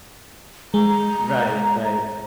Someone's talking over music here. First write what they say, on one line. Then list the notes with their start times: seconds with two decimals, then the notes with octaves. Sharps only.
Right. Right.
0.74 G#3 A#5